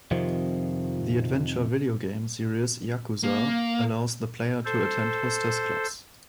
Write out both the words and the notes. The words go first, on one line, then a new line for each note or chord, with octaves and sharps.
The adventure video game series "Yakuza" allows the player to attend hostess clubs.
F2 C3 D#3 F3
A#3
A4 C5